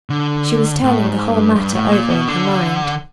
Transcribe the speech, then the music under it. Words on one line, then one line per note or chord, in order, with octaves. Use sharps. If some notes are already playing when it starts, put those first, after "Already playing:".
She was turning the whole matter over in her mind.
D3
A2
G#2
G2
G2
A2
A#2
B2
D3